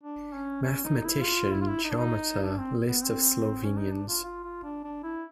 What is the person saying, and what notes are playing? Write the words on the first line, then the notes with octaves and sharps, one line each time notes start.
Mathematician, Geometer, List of Slovenians.
D4
C#4
C#4
D#4
E4
F4
E4
F4
E4
D#4
D4
D#4
D4
C4
B3
C4
C#4
D#4
D4
F4
F4
F4
D4
D4
E4